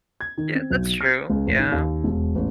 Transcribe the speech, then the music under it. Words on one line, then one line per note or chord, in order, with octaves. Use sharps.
Yeah, that's true, yeah.
G#6
D#3
C4
B1
F6
C#2
A1
D#3
D#2
E1
A1